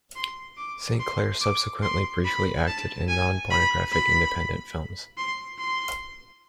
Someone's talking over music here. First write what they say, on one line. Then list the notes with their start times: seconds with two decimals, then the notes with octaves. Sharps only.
Saint Claire subsequently briefly acted in non-pornographic independent films.
0.16 C6
0.58 D6
0.99 C6
1.41 D6
1.83 C6
2.25 B5
2.67 A5
3.08 G#5
3.50 B5
3.92 B5
5.18 C6
5.59 C6